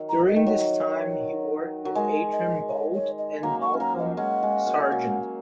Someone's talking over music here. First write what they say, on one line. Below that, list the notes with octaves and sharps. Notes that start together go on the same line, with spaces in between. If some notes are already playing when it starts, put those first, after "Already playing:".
During this time he worked with Adrian Boult and Malcolm Sargent.
Already playing: D#3 F#3
A#5
D#5
D#3
F#3 C#5
F#3
G#3 A#4
D#5
C#5
C#5
D#5
F#3 A#3 A#5
C#6
C#4
F#3 A#3 A#5
D#5
G#3 C#4 F#5
G#3
F#3 A#3
C#4
F#3 A#3